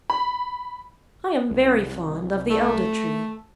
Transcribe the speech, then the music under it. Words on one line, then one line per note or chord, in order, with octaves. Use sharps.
I am very fond of the Elder-tree.
B5
C2
A3